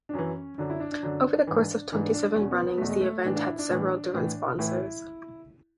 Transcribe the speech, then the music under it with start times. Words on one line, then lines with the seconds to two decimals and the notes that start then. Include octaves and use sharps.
Over the course of twenty-seven runnings the event had several different sponsors.
0.09 D4
0.13 F#2 E3 C#4
0.58 F#2 D3 D4
0.70 E4
0.80 D4
0.92 D4
1.03 F#2 D3
1.47 G#2 E3
1.92 G#2 E3 D4
2.03 D4
2.14 D4
2.25 D4
2.36 E2 B2 C#4
2.51 B3
2.66 B3
2.78 E2 B2 A3
2.89 G#3
3.01 A3
3.25 A2 E3 D4
3.36 D4
3.48 E4
3.59 D4
3.69 A2 E3
4.14 A2 E3
4.59 A2 E3 E4